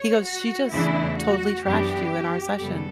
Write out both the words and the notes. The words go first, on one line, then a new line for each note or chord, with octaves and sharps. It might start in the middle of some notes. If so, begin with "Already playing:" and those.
He goes, "She just totally trashed you in our session,
Already playing: C#5
F#4
E2 C#3 E3 A3 D4 E4
F#4
F#2 E3 B3 D4 G4
F#2 C#3 G3 B3 A4